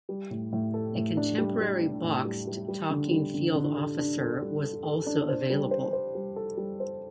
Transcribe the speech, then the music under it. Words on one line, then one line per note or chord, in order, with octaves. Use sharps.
A contemporary boxed talking field officer was also available.
G3
A2
A2
A4
A2
D4
G3
G3
D4
A2
G3
G3
G3
D3
G3
D3
D3
A4
D4
A4
G3
A4
A4
D4
C5
G3
C5
C5
G3
A4
G3
C5